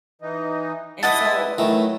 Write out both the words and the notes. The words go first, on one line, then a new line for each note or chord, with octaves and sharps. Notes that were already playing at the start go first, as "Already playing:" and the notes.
And, so,
E3 D#4
E4 B4 D#5 E5 F#5 A5 D6 D#6
D#3 E3 F#3 A3